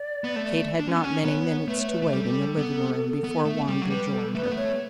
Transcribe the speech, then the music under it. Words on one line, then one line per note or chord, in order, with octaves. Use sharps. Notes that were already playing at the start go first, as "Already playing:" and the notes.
Kate had not many minutes to wait in the living-room before Wander joined her.
Already playing: D5
B3
A3
D4
C#4
B3
C#4
B3 C#5
A3 B4
C#5
B4
A3
G3 A4
B3
B3
A3
G3
F#3
G3 B4
A4
A3 B4
B3
A3
C#5